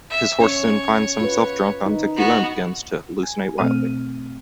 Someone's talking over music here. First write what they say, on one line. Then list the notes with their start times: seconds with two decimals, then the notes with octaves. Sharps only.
His horse soon finds himself drunk on tequila and begins to hallucinate wildly.
0.10 E5
0.40 C#4 C#5
1.21 F4 B4
1.86 D#4
2.16 B3 F#4
3.23 G#5
3.58 B2 A3 C4 F6 D#7